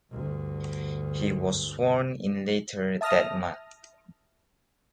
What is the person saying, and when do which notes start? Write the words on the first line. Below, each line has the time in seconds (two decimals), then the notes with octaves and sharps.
He was sworn in later that month.
0.11 D2 G2
3.01 E5 A5 D#6 F6 A#6